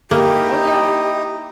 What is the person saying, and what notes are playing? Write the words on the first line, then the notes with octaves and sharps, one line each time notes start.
Oh, yeah.
A#3 D#4 E4 G4 D#5